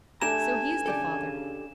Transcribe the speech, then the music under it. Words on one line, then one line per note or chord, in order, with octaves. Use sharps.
"So he is the father."
A3 D4 G4 G#5 A#5 E7
C#3 D4 G4 A4